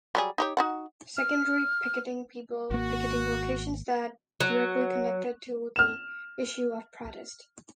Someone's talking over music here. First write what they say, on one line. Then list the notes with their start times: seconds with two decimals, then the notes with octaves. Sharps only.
Secondary picketing people picketing locations that directly connected to the issue of protest.
0.15 F#3 G3 G#4
0.38 D#4 G4 C#5
0.57 D#4 F#4 F#5
1.17 F6
2.71 G#1 A#3 F#4
4.40 F#3
5.76 F6 E7